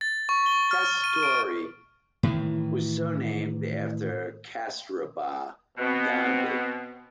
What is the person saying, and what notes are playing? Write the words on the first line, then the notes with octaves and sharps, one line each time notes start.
Kasturi was so named after Kasturba Gandhi.
A6
C#6
G7
F6
D#7
D7
A2 D#3 E3
B2 C4